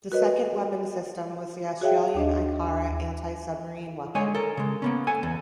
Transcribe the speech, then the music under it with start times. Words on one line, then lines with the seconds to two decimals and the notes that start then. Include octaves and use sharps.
The second weapon system was the Australian Ikara anti-submarine weapon.
0.12 F#4 A#4 B4 C#5 D#5
1.81 F#4 G#4 C#5 E5 F5 G5
2.14 D#2 D4 D#5
4.15 D3 G#3 C#5 G#5
4.35 A4 A#4
4.57 C#3 G#3
4.82 A#3 B3 C#4
5.07 A4 F#5 G#5
5.23 E2